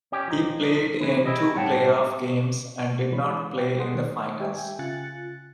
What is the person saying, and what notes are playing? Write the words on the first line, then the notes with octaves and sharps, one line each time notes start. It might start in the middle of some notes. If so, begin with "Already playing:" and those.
He played in two playoff games, and did not play in the finals.
C#4 G4
F3 D#4
C#3 E3 B3
E4 G4 G#4 D#5
A2 G3 C#5 F#5 G5 A5
E3 G#3 C#5 B5
G5
G#4 A#4 F#5 C6 D#6
D#3
G4 E5 G5 G#5
C#3 F4 G#5 F#6 A6 C#7